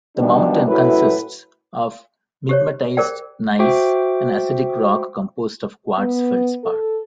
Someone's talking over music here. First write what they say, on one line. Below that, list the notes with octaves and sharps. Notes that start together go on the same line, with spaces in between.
The mountain consists of migmatized gneiss, an acidic rock composed of quartz-feldspar.
D#3 E3 F#3 G3 B3 D4
F#2 A2 E4 F#4 A4 B4
G4 C5 C#5
G#4 A#4 C5 D5 G5
F#4 C5 E5 G5 D6
B3
A4